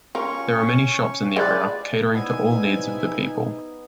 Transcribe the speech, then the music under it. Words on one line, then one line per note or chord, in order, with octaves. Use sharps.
There are many shops in the area catering to all needs of the people.
C#4 F4 A#4 C#6
F3 G#3 D4 E4 B4 D5
F3 G3 B3 D#4 E4 G#5